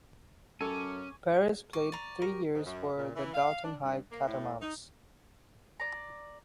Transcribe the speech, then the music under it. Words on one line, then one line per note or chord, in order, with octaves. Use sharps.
Perez played three years for the Dalton High Catamounts.
F#2 C#4 A4 G#5 C#6 D6
C#6 D6
D5 A#5
G4 A#4
G#2
F#2
A#2
E3
F5
D4
G2
A#3
A2
D#4
D5 A#5